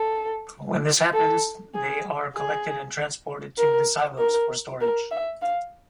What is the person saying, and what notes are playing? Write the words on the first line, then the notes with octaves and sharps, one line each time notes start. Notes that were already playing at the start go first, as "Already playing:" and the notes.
When this happens, they are collected and transported to the silos for storage.
Already playing: A4
A4
G#4
G#4
A#4
A#4
A#4
E5
F5